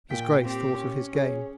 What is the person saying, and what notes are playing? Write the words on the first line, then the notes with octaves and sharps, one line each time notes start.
His Grace thought of his game.
A#2 G5 B6
C4 G4
C#4
G#4 C#5